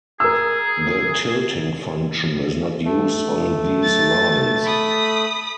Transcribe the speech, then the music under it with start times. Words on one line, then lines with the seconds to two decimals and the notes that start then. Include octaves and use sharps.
The tilting function is not used on these lines.
0.20 G#4 A#4 E6
2.85 A3
3.83 A6
4.64 B5 D#6